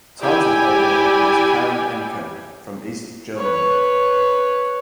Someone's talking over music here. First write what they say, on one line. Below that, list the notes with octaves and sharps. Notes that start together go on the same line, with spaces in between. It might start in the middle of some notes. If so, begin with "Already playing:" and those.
Title holder was Karin Enke from East Germany.
E4 G4 D5 G5 G#5
B4 C#5